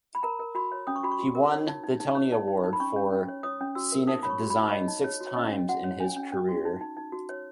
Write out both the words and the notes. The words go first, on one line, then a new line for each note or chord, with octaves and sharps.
He won the Tony Award for Scenic Design six times in his career.
B5
A#4 A#5
A#4
F#4 B5
C#5
C#4 D#6
C#6
F#4 B5
C#6
F#4
A#4
C#5
D#4
D#4
D#4
C#5
D#4
D#4
D#4
B5
C#4 C#6
C#4
C#4
C#5
C#5 D#6
C#4
F#4 E6
A#4
D#4 D#6
C#5 B5
C#6
F#4
B5
D#4
C#5 D#5
D#4
C#5
F#4
C#5
C#4 D#5
C#4
F#4 F#5
C#5
C#4 G#5
C#4
C#4
F#4
D#4
D#4
D#4
F#4
C#5